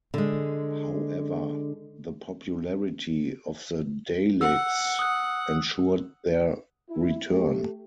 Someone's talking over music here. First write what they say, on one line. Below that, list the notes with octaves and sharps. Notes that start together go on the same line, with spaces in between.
However, the popularity of the Daleks ensured their return.
D3 G#3
F#5 E6
D#6 F#6
E4
A3 G4